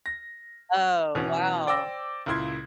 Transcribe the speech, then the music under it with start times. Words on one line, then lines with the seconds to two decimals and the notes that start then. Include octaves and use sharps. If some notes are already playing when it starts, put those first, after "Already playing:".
Oh, wow.
0.06 A#6
1.15 B2 E3 B3 C#4
1.67 C5 D5 G5 D6 E6 A#6
2.26 C#2 A#2 E4 C6 G#6